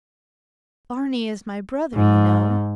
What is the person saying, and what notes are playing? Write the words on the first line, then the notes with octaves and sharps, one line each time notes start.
"Barney is my brother, you know."
G#2